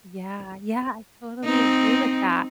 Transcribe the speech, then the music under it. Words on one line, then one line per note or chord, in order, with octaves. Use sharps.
yeah yeah, I totally agree with that,
C4 D#4